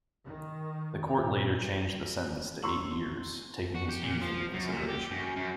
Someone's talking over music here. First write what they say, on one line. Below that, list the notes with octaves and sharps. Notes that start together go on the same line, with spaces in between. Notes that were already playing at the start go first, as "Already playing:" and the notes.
The court later changed the sentence to eight years, taking his youth into consideration.
D#3
A#2
A#5 C6 C#6 E6 F#7
F#4
G4
A#2
F3
F#2
A#2
G4
F#2
F#2